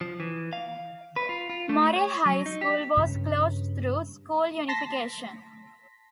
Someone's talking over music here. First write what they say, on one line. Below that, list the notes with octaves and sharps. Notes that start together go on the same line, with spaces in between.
Morrill High School was closed through school unification.
F3
E3
F5
B4
F4
F4
A3
C#5
F#3
D#4
G4
G2 C#3
A5 C6 A#6 B6